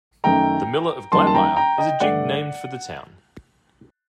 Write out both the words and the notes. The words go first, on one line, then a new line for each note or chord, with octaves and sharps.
"The Miller of Glanmire" is a jig named for the town.
F#2 D#3 A3 G5 A#5
F#2 D#3 G3 A#3 A5 C6
A5
G5 A#5
G5 A#5
D#5 G5
G2 D3 A3 D5 F#5